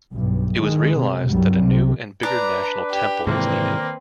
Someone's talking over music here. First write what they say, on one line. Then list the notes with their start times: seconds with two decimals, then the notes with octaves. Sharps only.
It was realised that a new and bigger national temple was needed.
0.13 B1 G2
0.58 D#3 G#3
0.92 C3
1.29 C2 G2 F#3 G3
1.60 C3
2.23 D4 B4 A#5
2.91 G4
3.27 G#2 C3 D#3 E3 A#3 C4 B4